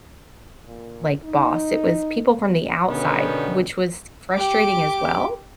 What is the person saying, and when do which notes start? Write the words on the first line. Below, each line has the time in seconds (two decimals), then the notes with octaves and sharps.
like, boss, it was people from the outside, which was frustrating as well
0.66 A#2
1.24 D#4
2.37 B3
2.86 B2 D3 D#3 G3 B3 C#4
4.34 G4 D6